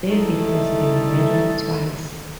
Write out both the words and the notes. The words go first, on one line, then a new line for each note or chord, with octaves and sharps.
David has been married twice.
G3 A3 D#4 E4 A4